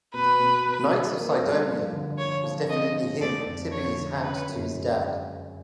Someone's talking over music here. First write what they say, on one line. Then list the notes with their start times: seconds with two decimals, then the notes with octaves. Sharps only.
'Knights of Cydonia' was definitely him tipping his hat to his dad.
0.14 B2 B4
0.39 B2
0.65 B3
0.90 F#3
1.16 A#3
1.42 G2
1.68 F3
1.93 D3
2.18 F3 C#5
2.44 F3
2.70 C4 D#5
2.96 G#3
3.21 A3 D5
3.47 F2
3.72 F3 C#5
3.98 D3
4.23 C#4 B4
4.49 F#2
4.74 G#3